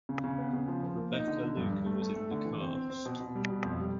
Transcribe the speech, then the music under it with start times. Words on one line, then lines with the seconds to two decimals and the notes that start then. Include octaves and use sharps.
Rebecca Luker was in the cast.
0.09 C#3
0.24 C#3
0.39 B3
0.53 C#3
0.68 F3
0.83 F3
0.97 A#3
1.13 D#4
1.27 D3
1.43 D3
1.57 G2
1.72 G2
1.86 A3
2.02 A3
2.16 A3
2.31 D3
2.45 E3
2.61 C4
2.75 C4
2.90 C4
3.05 B2
3.20 B2
3.35 G3
3.50 B2
3.64 F2
3.80 G3